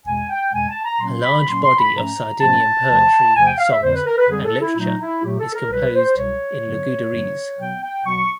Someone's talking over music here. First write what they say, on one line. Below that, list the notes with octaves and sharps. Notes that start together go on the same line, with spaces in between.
A large body of Sardinian poetry, songs and literature is composed in Logudorese.
E2 B2 G#3 G#5
G5
E2 B2 G#3 G#5
A5
A#5
A#2 F#3 A#3 C#4 C6
B5
A#2 F#3 A#3 C#4 C6
C6
B5
G#2 F3 A3 C#4 A#5
G#2 F3 A3 C#4 A5
E2 C3 F3 A3
E2 C3 F3 A3 G#5
G5
F5
E5
F2 D3 G3 C5
B4
A#4
B4
F2 D3 G3 G#4
A4
E4
A#2 F#3 A3 D#4
E4
A#2 F#3 A3 G4
A4
A#4
C2 B2 F#3 B4
C5
C2 B2 F#3 C#5
G2 D3 F#3 B3
G2 D3 F#3 B3
B2 F#3 B3 G5
G5
B2 F#3 B3 C#6